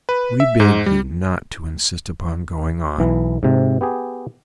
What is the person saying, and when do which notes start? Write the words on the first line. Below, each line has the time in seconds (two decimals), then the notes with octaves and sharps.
We beg you not to insist upon going on.
0.09 B4
0.40 E5
0.60 G#2
0.86 G3
2.98 B1 E3
3.43 G#2 C3
3.81 B3 G4 G#4